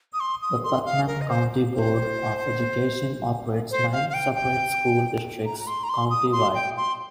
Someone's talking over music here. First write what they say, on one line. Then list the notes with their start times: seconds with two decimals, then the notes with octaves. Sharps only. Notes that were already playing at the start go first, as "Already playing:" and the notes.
The Putnam County Board of Education operates nine separate school districts county-wide.
0.14 D#6
0.20 C6
0.42 D#6
0.64 C6
0.86 F5
1.07 A#4
1.21 D#5
1.29 C5
1.74 C5
3.71 C5
3.92 F5
4.10 F5
4.14 G5
4.35 G5
5.46 A#5
5.60 A#5
5.67 C6
5.84 A#5
5.89 C6
6.10 D#6
6.32 C6
6.55 G5
6.77 C6